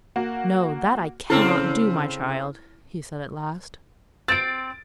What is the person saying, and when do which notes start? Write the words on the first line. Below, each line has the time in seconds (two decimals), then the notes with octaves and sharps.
'No, that I cannot do, my child,' he said at last.
0.16 A#3 F#4
1.30 C#3 C4 E4 A4 F6 C7
4.28 C4 A6 D7